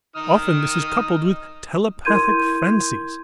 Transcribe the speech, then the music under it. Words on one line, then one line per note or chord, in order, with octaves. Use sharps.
Often this is coupled with telepathic fancies.
D#4 D#6 F6
E4 A#4 C6 G6 G#6 D#7